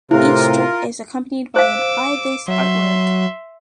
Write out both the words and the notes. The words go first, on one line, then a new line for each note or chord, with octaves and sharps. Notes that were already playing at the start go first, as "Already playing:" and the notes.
Each strip is accompanied by a Buy This Artwork!
A2 C3 E4 F4 A#4
C5 F5 D6 E6
F#3 E5 C6